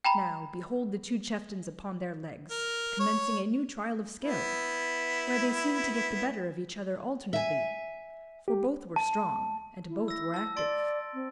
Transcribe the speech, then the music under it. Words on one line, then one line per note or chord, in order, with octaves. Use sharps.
Now, behold the two Chieftains upon their Legs, commencing a new Trial of Skill! where they seem'd to get the better of each other alternately; for both were strong, and both were active.
G5 A#5 B5
A#4
C#5
B3 E4
E5 G#5
G4
A5
E4
E6 A#6
A5 E6
D5 C6 A6 D7
C4